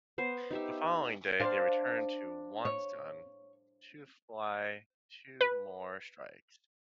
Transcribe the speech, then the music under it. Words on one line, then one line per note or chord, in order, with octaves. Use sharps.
The following day they returned to Wonsan two fly two more strikes.
B3 C5
D#4 G4 E5
D4 C5 F5
C#5
B4